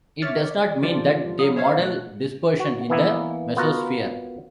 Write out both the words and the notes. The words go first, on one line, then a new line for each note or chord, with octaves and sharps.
It does not mean that they model dispersion in the mesosphere.
C#5 E5 D6 F6 A6 C#7
D5
E3 F3 F4 G4 D5
F#3 F5 B5 D#6
C5 C#5 E5 F5
B2 A3 F#6
F#4
E3 A#3 B3 E4
B3 F4 F#4 A#4